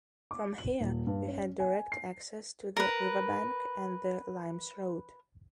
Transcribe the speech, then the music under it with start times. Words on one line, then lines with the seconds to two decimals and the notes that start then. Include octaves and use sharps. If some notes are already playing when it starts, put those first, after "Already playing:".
From here you had direct access to the river bank and the Limes road.
0.31 D6
0.58 F#7
0.81 D#1
1.07 G2
1.28 C#4
1.60 G#5
1.92 C7
2.77 A#4 B4